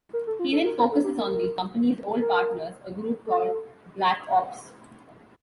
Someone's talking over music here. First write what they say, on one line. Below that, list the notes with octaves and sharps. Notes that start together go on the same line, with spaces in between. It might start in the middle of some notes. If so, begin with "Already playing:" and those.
He then focuses on the company's old partners, a group called "Black Ops".
A#4
A4
F4
A4
A#4
A#4
A4
G4
A#4
A#4
A4